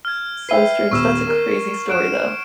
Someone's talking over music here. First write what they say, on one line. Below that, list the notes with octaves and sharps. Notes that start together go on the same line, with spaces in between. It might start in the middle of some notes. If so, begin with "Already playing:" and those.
so strange. That's a crazy story though.
F6 G#6
B4 E5 G5 C7 D#7 G7
D#1 B3 C#6 E6 E7
A#4
F#5 F#6 D7 E7